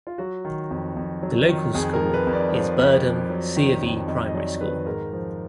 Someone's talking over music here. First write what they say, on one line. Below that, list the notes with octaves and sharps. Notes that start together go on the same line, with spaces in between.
The local school is Birdham C of E Primary School.
F4
F#3 F#4
D#3
F2
F2
F#3
D#3
F2 G#4
A#4
F3
B4
F2
D5
F3
F2
F3
F#3
D#3
F2
F2 D#5
D#5
F#3 D5
D#3 B4
G#2 A#4
F3